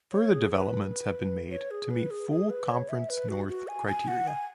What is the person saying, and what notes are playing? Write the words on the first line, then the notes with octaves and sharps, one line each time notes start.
Further developments have been made to meet full Conference North criteria.
C#5
G#4
B4
C#5
G#4
B4
G#4
G#4
B4
C#5
E5
B4
F#4
F#4
G#5
G#5
F#5
G#5